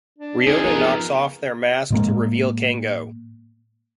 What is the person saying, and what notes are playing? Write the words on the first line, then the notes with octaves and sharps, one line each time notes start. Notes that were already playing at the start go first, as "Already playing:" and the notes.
Ryota knocks off their mask to reveal Kengo.
D4
C4 D4 D#4 G#4
F3 B3 F4 A#4
A2 G#3 A#3